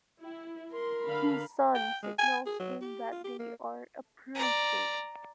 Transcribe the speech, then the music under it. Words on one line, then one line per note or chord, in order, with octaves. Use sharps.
His son signals him that they are approaching.
E4
A#4 C6
D3 F5 B5
G5
G#3
G#5
G#4
F#3
G4
F4
G4
A#3
D5 A#5